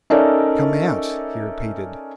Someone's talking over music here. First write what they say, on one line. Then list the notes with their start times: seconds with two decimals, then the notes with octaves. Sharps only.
"Come--out," he repeated.
0.10 C#4 D#4 A4 A#4 D5 E5